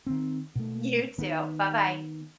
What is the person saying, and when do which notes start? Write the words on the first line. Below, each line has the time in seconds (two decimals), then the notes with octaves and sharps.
you too, bye-bye.
0.07 D#3 C4
0.56 B2 A3
1.18 D#3 B3